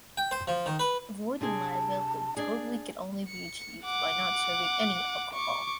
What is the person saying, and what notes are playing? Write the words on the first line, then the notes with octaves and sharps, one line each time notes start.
Avoiding liability totally can only be achieved by not serving any alcohol.
G5
C5
F3
D#3
B4
C3 D4 G#4 A5
D4 G#4 D5
C#7
F#5 D6
C#6 D6